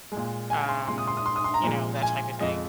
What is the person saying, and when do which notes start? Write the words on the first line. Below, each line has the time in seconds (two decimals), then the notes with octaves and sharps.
um, you know, that type of thing,
0.12 A#2 G#3
0.50 G#5
0.69 C6
0.88 A#2 G#3 C6
0.98 D#6
1.07 C6
1.17 D#6
1.26 C6
1.36 D#6
1.44 C6
1.54 A#5
1.63 A#2 F3 G#3
2.02 G#5
2.40 F2 F3 G#3 D#5